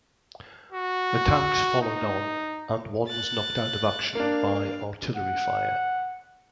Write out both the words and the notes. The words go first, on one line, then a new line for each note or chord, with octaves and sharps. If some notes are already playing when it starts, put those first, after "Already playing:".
The tanks followed on, and one was knocked out of action by artillery fire.
F#4
D#4
F#6 A6
A#3 D4 F5
F#5